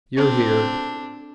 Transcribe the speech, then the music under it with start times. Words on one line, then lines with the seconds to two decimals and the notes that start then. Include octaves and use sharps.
You're here!
0.16 C4 D4